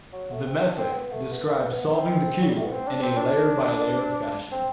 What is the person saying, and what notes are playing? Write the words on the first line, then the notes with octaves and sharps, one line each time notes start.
The method describes solving the cube in a layer-by-layer fashion.
F#3
A3
C4
D4
C4
B3
A3
B3
A3
B3
B3
C4
F#3
G3
A3
B3
C4
D4
C4
D4
C4